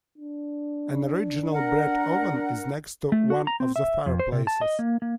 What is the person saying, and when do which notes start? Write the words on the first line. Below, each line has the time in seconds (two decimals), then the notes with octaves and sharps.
An original bread-oven is next to one of the fireplaces.
0.18 D4
1.52 A#4 F#5
3.12 A3
3.30 F#4
3.47 A#5
3.60 C4
3.76 E5
4.06 F2
4.20 C5
4.32 C3
4.47 A5
4.61 D#5
4.79 A#3
5.02 A#3